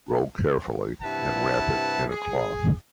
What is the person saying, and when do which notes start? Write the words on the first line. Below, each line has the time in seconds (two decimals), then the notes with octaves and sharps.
Roll carefully, and wrap it in a cloth.
1.02 G2 C3 E4 B4 F#5 A5
2.10 G#4